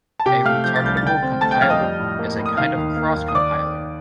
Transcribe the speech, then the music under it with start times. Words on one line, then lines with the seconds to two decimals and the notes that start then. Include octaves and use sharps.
A retargetable compiler is a kind of cross compiler.
0.20 A5
0.26 C3 G4 G5
0.45 A3 F5 F6
0.64 F3 G6
0.76 A6
0.83 C2 G6
0.97 A6
1.03 D3 G5 G6
1.23 C4
1.41 A3 A5 A6
1.51 G5 G6
1.61 F2 F5 F6
1.70 D#5 D#6
1.81 G3
1.99 A2
2.19 A#3
2.38 A2
2.46 D#6
2.57 D#3 F5 F6
2.77 D#2
2.97 A#3
3.16 D#2
3.28 D#6
3.35 D#3 D5 D6